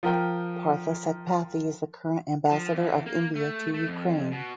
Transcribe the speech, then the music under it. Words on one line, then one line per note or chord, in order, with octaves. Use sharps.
Partha Satpathy is the current Ambassador of India to Ukraine.
F3 A#4 G5
F3
E2
A#3
A3
A3
F2
B2